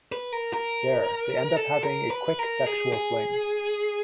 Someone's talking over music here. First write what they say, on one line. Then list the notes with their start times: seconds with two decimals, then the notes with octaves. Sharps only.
There, they end up having a quick sexual fling.
0.12 B4
0.32 A#4
0.54 A#4
1.57 A4
1.84 A#4
2.11 B4
2.39 A#4
2.66 G#4
2.93 G#4